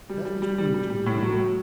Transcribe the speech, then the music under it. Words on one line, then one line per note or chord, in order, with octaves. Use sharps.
That was proved in New York.
G3
G3
G3
G3
G3
G3
A2
F#3
F#3